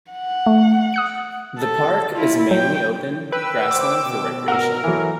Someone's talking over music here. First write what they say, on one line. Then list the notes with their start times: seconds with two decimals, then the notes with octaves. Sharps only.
The park is mainly open grassland for recreation.
0.11 F#5
0.46 A3
0.94 D#6 F#6 C#7
1.59 A4
2.14 E4 F4
2.51 F#3 G5
3.32 D#3 B4 G5 E6
3.71 C5 D6
4.05 B2
4.48 A#4 F#5 E6
4.84 E3 F#3 A4